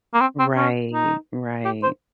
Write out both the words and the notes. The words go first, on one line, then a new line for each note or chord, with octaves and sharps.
Right, right.
A#3
C4
C4
C#4
D#4
G4
C5